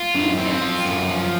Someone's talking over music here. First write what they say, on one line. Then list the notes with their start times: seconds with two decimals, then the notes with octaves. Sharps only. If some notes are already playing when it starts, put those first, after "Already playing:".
Beat This!
Already playing: F4
0.15 F#2
0.38 C4
0.62 F4
0.85 F#2
1.08 F3